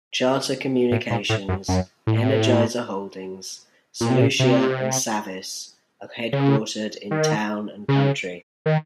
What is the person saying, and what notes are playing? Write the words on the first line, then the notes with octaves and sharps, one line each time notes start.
Charter Communications, Energizer Holdings, Solutia and Savvis are headquartered in Town and Country.
A2
A#2
A2
F#2
F#2
A2
A#2
C3
A#2
C3
C#3
D#3
C#3
D#3